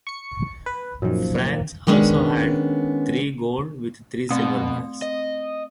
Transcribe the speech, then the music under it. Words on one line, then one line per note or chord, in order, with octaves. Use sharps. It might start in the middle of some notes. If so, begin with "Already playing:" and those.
France also had three gold, with three silver medals.
C#6 C#7
B4
F#2 A#2 D#3 F3
A#3
D#3 G3 G#3 B3 C#4 D4
B2 A3 C4
D#5